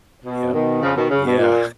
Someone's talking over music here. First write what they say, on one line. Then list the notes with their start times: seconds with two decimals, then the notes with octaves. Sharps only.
Yep, I don't yeah.
0.25 B2
0.53 B2 D#3
0.82 C#3 F3
0.96 B2 D#3
1.10 C#3
1.25 B2
1.39 A#2